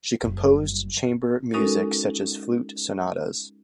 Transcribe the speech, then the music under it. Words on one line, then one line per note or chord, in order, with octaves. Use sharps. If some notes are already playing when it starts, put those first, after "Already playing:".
She composed chamber music, such as flute sonatas.
F#1 G3
G#3 C#4 D#4 F#4 A4 A#4